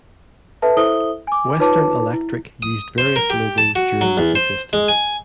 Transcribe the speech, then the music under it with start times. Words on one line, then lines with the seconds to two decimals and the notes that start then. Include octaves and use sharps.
Western Electric used various logos during its existence.
0.62 A4 B4 E5 A5
0.77 E4 A4 C5 E5 D#6 G7
1.27 G#5 D6
1.59 D#4 F4 B4 C#5 A5 D6
2.13 E4
2.62 D#6
2.98 C5
3.16 A#4
3.30 G4
3.58 A5
3.76 F#4
4.01 F#3
4.17 E2
4.35 C5
4.73 G#3
4.88 G#5